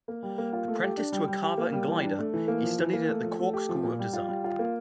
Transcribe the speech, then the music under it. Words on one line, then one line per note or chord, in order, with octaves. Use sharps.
Apprenticed to a carver and gilder, he studied at the Cork School of Design.
A#3
G3
A#3
F4
A3
G4
D4
G3
G3
G4
A#3
G3
E3
D4
A3
E3
A#3
F3
E3
A#3
A3
F3
A3
G4
F3
A#2
G3
F4
G3
F4
A#3